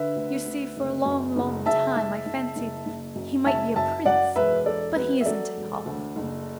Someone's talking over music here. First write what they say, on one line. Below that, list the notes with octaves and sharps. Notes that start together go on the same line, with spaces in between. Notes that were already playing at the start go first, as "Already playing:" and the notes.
You see, for a long, long time, I fancied he might be a prince, but he isn't at all.
Already playing: D3 B4 E5
D2
D2
F#1
F#2
F#1
F#1 E5 A5
F#1
F#1
F#1
F#1
F#2
F#1 E5 A5
F#2 E5 A5
F#2 D5 F#5
E1 B4 E5
E1 A4 D5
F#3 B4
E5
F#3 A4 D5
E1
D2
F#1